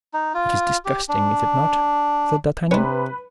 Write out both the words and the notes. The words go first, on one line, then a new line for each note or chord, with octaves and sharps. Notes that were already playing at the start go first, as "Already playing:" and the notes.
"It is disgusting, is it not?" said D'Artagnan.
D#4
F4
G4
D4
C3 C#4 D4 B4